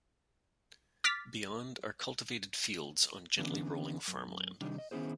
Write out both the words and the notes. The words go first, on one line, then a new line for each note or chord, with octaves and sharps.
Beyond are cultivated fields on gently rolling farmland.
D6 F6 A6 B6
D3 E3 B3 C#4 D4
F#2
C3 D#3 G3 D4 D#4
D#5
D#3 B3 C#4 E4 G#4 C5